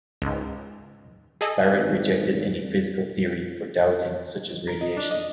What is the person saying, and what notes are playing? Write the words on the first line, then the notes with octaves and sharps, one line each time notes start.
Barrett rejected any physical theory for dowsing such as radiation.
C#2 G#2
G#4 A4 D#5
G#1
A#4
D#5
D4
D#5